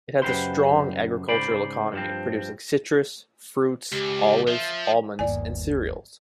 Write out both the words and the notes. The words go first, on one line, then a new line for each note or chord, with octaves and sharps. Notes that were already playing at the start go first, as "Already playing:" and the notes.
It has a strong agricultural economy, producing citrus fruit, olives, almonds and cereals.
F#2 C#3 G4 B4 C5 C6
G#2 C#3 C5 D5 B5
G2 F3 C4
C#2 G4
F3 E5
G1 D#2 D5 G#5